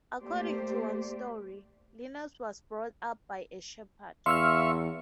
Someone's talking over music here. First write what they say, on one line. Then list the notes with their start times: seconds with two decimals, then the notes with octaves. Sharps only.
According to one story, Linus was brought up by a shepherd.
0.23 A3 A#3 G4 C5 D5
4.26 E2 E5 F5 C6 C#6 E6 F6